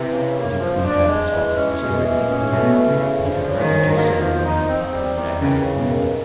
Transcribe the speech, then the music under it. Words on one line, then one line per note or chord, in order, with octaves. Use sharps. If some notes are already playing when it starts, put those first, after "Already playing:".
The Duke might have his foxes destroyed if he pleased, but he could hardly do so and remain a popular magnate in England.
Already playing: C3 E3
C#3
A#3
F3
D4
G#3
E3
C#4
B2 G#3
E3
A#2
C#4
B2 A3
E3
C#3
C#3
D3 F3
C#3
D#3
D2
A#3
F3
D#4
C4
G3
D#3
C#3 E3
C#3
B2
D#2